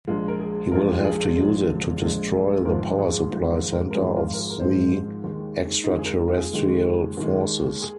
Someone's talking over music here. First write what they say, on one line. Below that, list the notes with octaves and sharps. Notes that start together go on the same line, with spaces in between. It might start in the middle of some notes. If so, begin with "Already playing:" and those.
He will have to use it to destroy the power supply center of the extraterrestrial forces.
A#1 A#2 G#3 F4
A#4
G#4
A#1 A#2 G#3 A#4
F4
G#4
A#1 A#2 G#3
A#1 A#2 G#3
G#1 G#2 F3 G#3 A#4
G#4
G#1 G#2 F3 G#3
A#4
A#4
A#4
G#1 G#2 F3 G#3 G#4
F4
A#4
G#4
A#4
G#1 G#2 F3 G#3 C5
D#2 D#3 G#3
D#4
D#2 D#3 G#3 F4
G#4
A#4
F4
G#4
D#2 D#3 G#3
D#2 D#3 G#3
G#4